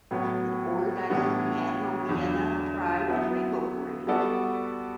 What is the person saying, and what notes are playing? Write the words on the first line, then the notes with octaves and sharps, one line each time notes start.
It organises the annual Vienna Pride and Rainbow Parade.
A2 F#3 B3
A2 E3 G3 B3 D4
E2 D3 F#3
F#3 B3 E4
G3 B3 F#4 A4 D5